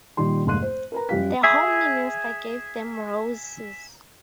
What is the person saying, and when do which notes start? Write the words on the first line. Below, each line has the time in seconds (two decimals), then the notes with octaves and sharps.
The Home Minister gave them roses.
0.17 A#2 D#3 G3 G4 C6
0.46 F1 G#2 A#3 C6 F#6 D#7
0.62 C5
0.92 A#4 B4 A#5
1.09 F#2 F3 G3 G4 F5 B6
1.43 G#4 E5